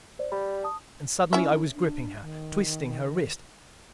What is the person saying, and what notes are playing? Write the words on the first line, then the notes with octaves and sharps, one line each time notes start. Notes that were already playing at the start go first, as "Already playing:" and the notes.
And suddenly I was gripping her, twisting her wrist.
C5 D5
G3 B5
A5 D#6
C#4 E4 E5
D4
D#3